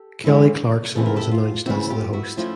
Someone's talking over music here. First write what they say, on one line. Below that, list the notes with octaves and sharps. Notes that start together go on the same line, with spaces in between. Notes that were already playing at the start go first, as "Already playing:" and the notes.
Kelly Clarkson was announced as the host.
Already playing: G4 A4
E3 G#3 C#4 E4
C#3 E3 A3 C4 A4
A#4
G4 A4
F4
C#3 E3 A3 C4 E4 F#4
F4 G4
E4 F#4
F3 A3 C#4 E4 F4